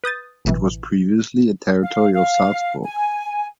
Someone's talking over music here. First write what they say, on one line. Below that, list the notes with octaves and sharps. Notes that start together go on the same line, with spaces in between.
It was previously a territory of Salzburg.
B4 D#6 G6 A6
A1 B2 E3
F5
F5
G#5